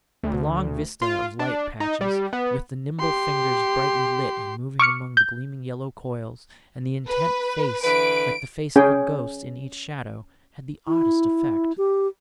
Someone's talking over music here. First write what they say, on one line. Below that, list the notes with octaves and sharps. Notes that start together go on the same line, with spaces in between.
The long vista of light patches, with the nimble fingers brightly lit and moving among the gleaming yellow coils, and the intent face like the face of a ghost, in each shadow, had the oddest effect.
D2
F4
D4
D#4
G3
B3
G4 C6
C#6 D6 F6 C#7
G6
B4
D3 E3 B4 D7
C#4 G#4 G5
E4
G4